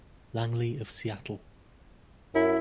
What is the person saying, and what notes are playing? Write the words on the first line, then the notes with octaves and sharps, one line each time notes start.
Langley of Seattle.
F#2 E4